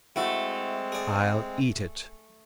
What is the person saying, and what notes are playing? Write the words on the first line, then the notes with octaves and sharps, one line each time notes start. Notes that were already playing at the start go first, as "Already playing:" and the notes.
"I'll eat it."
G#3 A3 C4 E4 F#4
G#4 D5